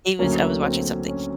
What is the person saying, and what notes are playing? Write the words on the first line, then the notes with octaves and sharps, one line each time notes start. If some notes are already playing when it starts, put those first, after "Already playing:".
he was I was watching something,
D2 D3 F#3 A#3 C#4
C4
C#4